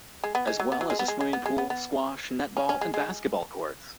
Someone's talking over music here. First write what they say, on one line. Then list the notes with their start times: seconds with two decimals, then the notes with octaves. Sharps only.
As well as a swimming pool, squash, netball and basketball courts.
0.24 G#3
0.35 B3
0.47 G#3
0.60 F#3
0.72 B3
0.81 F#3
0.90 G#3
0.99 B3
1.08 G#3
1.21 G#3
1.33 B3
1.46 G#3
1.58 B3
1.70 B3
2.57 C#4
2.69 C#4
2.81 G#3
2.94 G#3